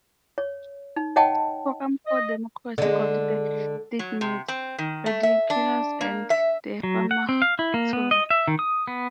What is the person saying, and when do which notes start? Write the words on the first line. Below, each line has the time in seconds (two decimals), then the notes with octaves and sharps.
Forum for Democracy called the statements "ridiculous and defamatory".
0.38 C#5
0.96 D#4
1.16 C#5 D#5 F#5 G5 A5
2.07 D#5
2.78 D3 G#3
3.99 F#3
4.21 C3
4.48 C4
4.78 D#3
5.06 A3
5.23 E5
5.50 D4
6.01 A#3
6.30 E5
6.83 F#3
7.11 F#5
7.29 C4
7.42 F5
7.59 E4
7.74 A#3
7.93 B3
8.11 D#5
8.30 E5
8.48 D#3
8.59 D#6
8.87 B3